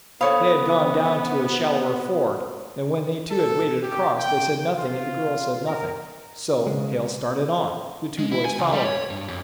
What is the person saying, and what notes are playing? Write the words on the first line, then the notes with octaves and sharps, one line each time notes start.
They had gone down to a shallower ford, and when they, too, had waded across, they said nothing and the girl said nothing--so Hale started on, the two boys following.
B3 A4 C5 C#5 F5 B5 D#6
A4
G4
G5
F4
A#4
C#3 G#3
G#3
E4
G#5
C#2
G3
C#5
G2
F2